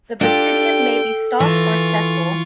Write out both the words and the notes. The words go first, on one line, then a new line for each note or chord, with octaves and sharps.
The basidium may be stalked or sessile.
D4 F4 G4 A4 G5
E3 F4 C#6